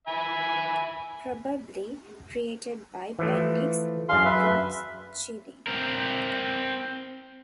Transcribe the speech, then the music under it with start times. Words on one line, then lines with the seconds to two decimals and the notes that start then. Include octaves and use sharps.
Probably created by Bendix Grodtschilling.
0.08 E5 G#5 B5
3.19 E3 F3 A3
4.09 F#2 D4 G#4 F5 C6
4.25 B4 E5
5.67 C4 A#4